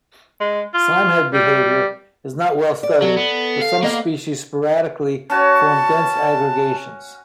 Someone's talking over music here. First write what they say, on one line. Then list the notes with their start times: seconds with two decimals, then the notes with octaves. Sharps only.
Slimehead behaviour is not well studied, but some species sporadically form dense aggregations.
0.41 G#3
0.74 F4
1.33 G3
2.83 D5
3.02 F#3 A4
3.17 B3
3.62 F5
3.83 A#3 B3 D#5 F5
5.30 C#4 F#4 C#5 A5